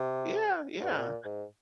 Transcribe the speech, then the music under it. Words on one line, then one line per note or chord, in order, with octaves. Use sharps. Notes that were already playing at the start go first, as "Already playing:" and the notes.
Yeah, yeah.
Already playing: C3
G2
G#2
A#2
G#2